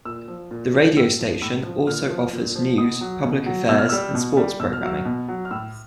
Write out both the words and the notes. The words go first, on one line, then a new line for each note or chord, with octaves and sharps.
The radio station also offers news, public affairs, and sports programming.
A#2 E6
F3
A#2
F3
A2 E6
F3
A2 E6
F3
A#2 F6
F3
A#2
F3
B2 D#6
F#3
B2
F#3
B2 E6
F6
G3 E6
B2
G3
B2 E6
F6
F#3 E6
B2
F#3
F6
A2 E6